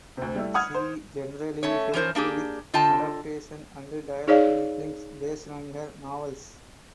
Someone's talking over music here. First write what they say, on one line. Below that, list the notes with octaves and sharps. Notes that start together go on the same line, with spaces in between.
She generally helped with adaptation and dialogue in films based on her novels.
D2 C3
G3 A3 E4
F#5 B5 D#6 F6 G#6
C5
A3 C#4 C#5
E3 F3 C#4 A#4 C5
A#3 D4 G4 G#4
D3 F4 D#5 G5 A5
D#4 G#4 C#5 D5 F5